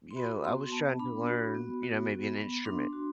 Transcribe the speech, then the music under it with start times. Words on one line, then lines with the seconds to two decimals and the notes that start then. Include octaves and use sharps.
you know, I was trying to learn, you know, maybe an instrument
0.11 C6
0.16 F#4 B5
0.44 B3 C6
0.72 B3 A5
0.99 D4 B5
1.27 F#4
1.55 B3
1.83 F#4
2.10 B3
2.38 B3
2.65 D4 C6
2.93 F#4